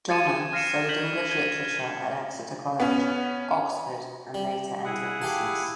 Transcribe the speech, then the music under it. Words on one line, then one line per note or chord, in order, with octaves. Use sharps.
Donner studied English literature at Exeter College, Oxford and later entered business.
G#6 A6 C#7 D#7 E7
F6 A#6 C7 C#7 E7
G6 G#6 B6 F#7 G7
G#6 D#7 G7
B3 C#4
G3
E4 G#4 F#5
G4 F5 A5